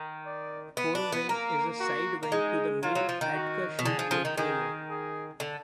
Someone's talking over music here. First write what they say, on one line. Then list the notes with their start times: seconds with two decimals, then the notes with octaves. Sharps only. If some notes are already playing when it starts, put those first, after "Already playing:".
Korovin is a side vent to the main Atka shield volcano.
Already playing: D#3
0.26 D5
0.77 B3 B4
0.95 D4
1.12 B3
1.29 A#3 A#4
1.80 F#4
2.23 A#3
2.32 G#3 D#4
2.83 F#3 F4
2.95 F#3
3.09 F3
3.21 D#3
3.34 F#4
3.79 B2
3.85 D3 G#4
3.99 F3
4.11 F3
4.25 D#3
4.37 D#3 G#4
4.89 G#4
5.40 D3